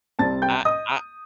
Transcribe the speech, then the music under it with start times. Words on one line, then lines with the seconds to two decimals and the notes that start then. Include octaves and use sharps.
I I
0.19 C2 C3 G3 C4 A5 A6
0.42 G5 G6
0.65 D#5 D#6